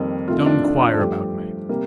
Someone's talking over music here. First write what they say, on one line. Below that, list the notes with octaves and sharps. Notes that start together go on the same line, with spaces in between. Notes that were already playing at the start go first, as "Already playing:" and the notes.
Don't inquire about me.
Already playing: F2 D#3 G3 A#3
F2 C3 D#3 A3 F4
D4
D4
F4
A4
G2 F3 A3 G4
C3 G3 A#3